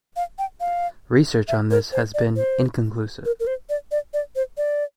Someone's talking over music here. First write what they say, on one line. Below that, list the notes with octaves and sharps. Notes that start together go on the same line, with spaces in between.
Research on this has been inconclusive.
F5
G5
F5
E5
A#4
C5
D5
C5
A#4
A#4
C5
D5
D5
D5
C5
D5